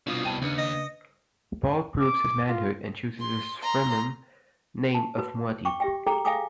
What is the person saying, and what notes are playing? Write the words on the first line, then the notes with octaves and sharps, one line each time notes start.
Paul proves his manhood and chooses his Fremen name of Muad'Dib.
C2 B2 D4 F4 D#6
G5 A5 D#7
D#2 C#3 D4 B4 C#7
D#5
D6
F4
C6
A#5 C6
A5
F#4 B4
G5 C#6 D6
G4 E5 G5
G#4 A4 G5 A#5 D6
E5 F5 G5 G#5 D6 D#6